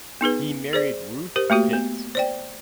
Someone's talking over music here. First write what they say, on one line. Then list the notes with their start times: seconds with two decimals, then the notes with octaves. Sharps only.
He married Ruth Pitts.
0.21 B3 D#4 G#4 B4
0.73 G#4 C5 D5
1.36 G4 A#4 C5
1.50 A3 A#3 F#4 G4
1.73 B3
2.15 C5 D5 G5